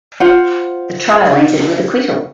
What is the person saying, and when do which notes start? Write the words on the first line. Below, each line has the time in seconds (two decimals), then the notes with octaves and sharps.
The trial ended with acquittal.
0.20 F4 C5 F#5